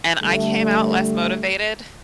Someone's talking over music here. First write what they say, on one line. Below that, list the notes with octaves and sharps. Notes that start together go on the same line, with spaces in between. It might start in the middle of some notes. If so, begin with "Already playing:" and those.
and I came out less motivated
D3 G3 A3